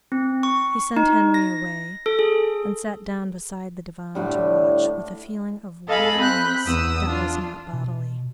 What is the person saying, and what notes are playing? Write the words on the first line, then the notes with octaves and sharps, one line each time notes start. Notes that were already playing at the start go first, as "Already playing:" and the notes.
He sent Henri away and sat down beside the divan to watch with a feeling of weariness that was not bodily.
C4
C#6
D#4
A#6
A4
G#4
A2 D3 G3
A4 D#5 F5 G#5 B5
C4 B5 F#6 G6
E2 D#6 E6
D4 F4
B2